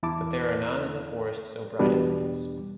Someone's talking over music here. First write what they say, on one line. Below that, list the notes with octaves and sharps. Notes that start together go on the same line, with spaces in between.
But there are none in the forest so bright as these.
E2 E4 A5 D6
E2 B2 G3 B3 D4